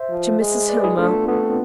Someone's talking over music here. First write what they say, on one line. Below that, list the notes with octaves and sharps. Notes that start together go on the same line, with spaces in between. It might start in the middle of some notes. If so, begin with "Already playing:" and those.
"To Mrs. Hillmer."
Already playing: C5 E5
F3
G#3
B4 D5
E4 G#4
A3 D4 F4
B3
A3 B3
C4